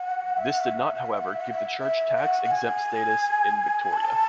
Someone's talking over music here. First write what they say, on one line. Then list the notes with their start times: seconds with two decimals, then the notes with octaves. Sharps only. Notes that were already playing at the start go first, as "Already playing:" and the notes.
This did not, however, give the Church tax exempt status in Victoria.
Already playing: F#5
0.37 E5
0.49 F#5
0.60 E5
0.71 F#5
0.83 E5
0.95 F#5
1.06 E5
1.18 F#5
1.29 E5
1.40 F#5
1.52 E5
1.80 E5
2.16 F#5
2.44 F#5
2.51 G#5
3.93 A5